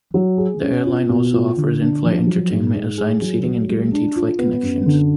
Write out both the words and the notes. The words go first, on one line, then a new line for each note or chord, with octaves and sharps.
The airline also offers in-flight entertainment, assigned seating and guaranteed flight connections.
F#3
G#4
C#4
F4
B2
F4
D3
D4
F3
F#3
G#2
G#2
G#4
F#3
F#3
G#3
D4
F4
B3
F#2
D3